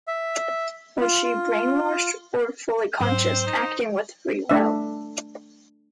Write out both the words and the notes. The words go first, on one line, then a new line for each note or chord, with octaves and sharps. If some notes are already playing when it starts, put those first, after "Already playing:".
Was she "brainwashed" or fully conscious, acting with free will?
E5
F4
F4
G#2 F#3 C4 C5
D#4
A3 D4 E5